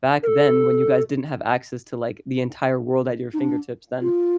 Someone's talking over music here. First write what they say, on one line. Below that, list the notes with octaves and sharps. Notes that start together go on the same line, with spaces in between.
back then when you guys didn't have access to, like, the entire world at your fingertips, then
A#4
A4
D#4
D4
F4